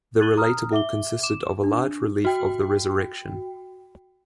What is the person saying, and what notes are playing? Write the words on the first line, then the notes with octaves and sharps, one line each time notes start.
The retable consisted of a large relief of the Resurrection.
F#6 G#6 A6 D#7 F#7 G7
A#5 D#6 F6
E5 D6 G7
D6 E7
D4
F#4 G5